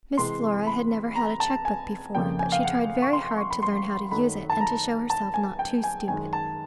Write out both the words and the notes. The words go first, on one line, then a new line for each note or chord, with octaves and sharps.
Miss Flora had never had a check-book before, but she tried very hard to learn how to use it, and to show herself not too stupid.
C3 E3 G#3 C4 C6
B5
A#5
A5
G#5
F2 C#3 F3 A#3 G5
G#5
F5
F#5
C#6
C6
C#6
B5
C6
F#2 D#3 F#3 A3 B5
A5
A#5
A5
G#5
G5
G#5
F#2 D#3 G#3 G#5
A5